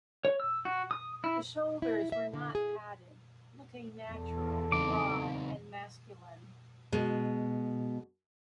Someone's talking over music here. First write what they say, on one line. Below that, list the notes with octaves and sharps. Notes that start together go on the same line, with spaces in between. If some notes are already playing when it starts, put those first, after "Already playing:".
The shoulders were not padded, looking natural, broad and masculine.
C#5
E6
F#4
D#6
E4
E4
E5
D3
G#4
E2 A4
C#3 C4 D#4 D6
B2 G#3